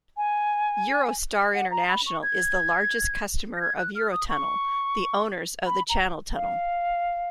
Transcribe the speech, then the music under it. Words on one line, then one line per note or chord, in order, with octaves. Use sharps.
Eurostar International is the largest customer of Eurotunnel, the owners of the Channel Tunnel.
G#5
F#5
A#5
B5
C#6
G#6
A#6
G#6
F#6
F6
D#6
C#6
B5
A#5
F5